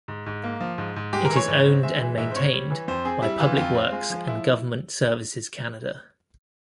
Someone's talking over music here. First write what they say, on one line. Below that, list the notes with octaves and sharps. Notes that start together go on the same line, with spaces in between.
It is owned and maintained by Public Works and Government Services Canada.
G#2
G#2
A#3
F3
G#2
G#2
G#3 G4
A#4
E3
C#5
G#2
C4
G#3 E5
E3
G#2 E5
C5
C4 C#5
G3
E3
F2 C5
C4 G#4
G3 E4
E3 F4
F2 F4
C4
G#3
F3
E4